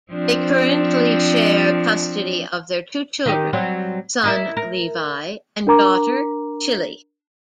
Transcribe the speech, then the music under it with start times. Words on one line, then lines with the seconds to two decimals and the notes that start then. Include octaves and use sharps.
They currently share custody of their two children: son, Levi, and daughter, Chilli.
0.11 F3 C4 D4
3.26 D#3 D#4 G4
3.53 F#3 G3 C4
4.24 E4 A#4 D#5
4.57 A#4
5.67 D4 A#4 A#5 D6